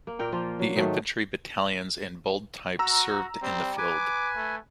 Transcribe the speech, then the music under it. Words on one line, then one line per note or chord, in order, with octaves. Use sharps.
The infantry battalions in bold type served in the field.
A#3
A#2 A#4 G5
F3 A#3 F4 C5
F#3
G#2 D#3 F#3 A3
F#4 A#5 E6
G3 C4
B4 G#5 D6
A3